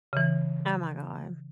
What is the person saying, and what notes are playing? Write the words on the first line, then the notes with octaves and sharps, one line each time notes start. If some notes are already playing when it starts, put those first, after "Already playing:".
Oh my god.
C#3 E3